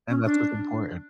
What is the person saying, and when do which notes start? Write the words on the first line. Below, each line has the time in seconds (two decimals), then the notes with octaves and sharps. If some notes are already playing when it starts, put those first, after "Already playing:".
And that's what's important.
0.10 C#4
0.25 D4